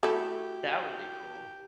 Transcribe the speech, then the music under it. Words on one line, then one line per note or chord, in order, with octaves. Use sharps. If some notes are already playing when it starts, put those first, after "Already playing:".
That would be cool.
A3 E4 F#4 G4